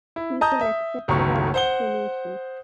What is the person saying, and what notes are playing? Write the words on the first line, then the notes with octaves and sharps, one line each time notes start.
People accepted our explanations.
E4
D#5 A5 A#5 D#6 G6
E5
G1 C#2 D#3 F#3 A3 C#6
C5 F#5 G7